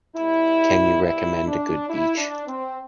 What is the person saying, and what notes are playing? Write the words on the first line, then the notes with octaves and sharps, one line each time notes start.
Can you recommend a good beach?
B2 G3 E4
E4
D4
E4
D4
C4